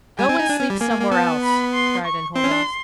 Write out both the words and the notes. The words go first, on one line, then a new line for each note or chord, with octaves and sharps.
"Go and sleep somewhere else," cried Enjolras.
G3 G#5
C4
D#4
D4
C#4
G3
A#3 G#5
A#3
A#3
B3 A5
B5
C6
C#6
C4 C6
C#4
D4